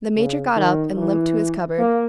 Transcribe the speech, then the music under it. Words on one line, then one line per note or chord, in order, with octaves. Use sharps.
The Major got up and limped to his cupboard.
C#3
D#3
E3
A#3